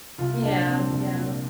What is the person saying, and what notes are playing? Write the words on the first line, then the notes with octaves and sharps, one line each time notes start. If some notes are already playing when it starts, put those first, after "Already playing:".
Yeah, yeah.
C2 F4
A#2 D4
F3 C4
C2
A#2